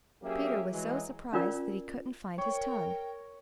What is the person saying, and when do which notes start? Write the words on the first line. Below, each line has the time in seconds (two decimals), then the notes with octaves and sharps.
Peter was so surprised that he couldn't find his tongue.
0.23 F#3 A#3 C#4 G4 G#4 E5
0.71 E3 F#3 G#3
1.33 C#4 D4 F4 A#4 D5
2.38 A#4 C#5 G5